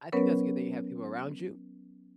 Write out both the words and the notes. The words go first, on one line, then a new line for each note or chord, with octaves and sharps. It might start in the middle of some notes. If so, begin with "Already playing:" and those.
I think that's good that you have people around you,
F#3 B3 C#4 A#4 B4 C#5